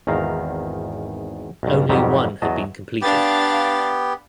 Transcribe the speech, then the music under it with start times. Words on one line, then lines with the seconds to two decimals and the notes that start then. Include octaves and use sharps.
Only one had been completed.
0.07 G#1 E2 D#3 F5 A#5
1.63 B1 G2
1.89 F2 G#2 D#3 F#3 G3 G4
2.42 E2 F#3 D#5 A5
3.02 B3 D4 G4 F5 A6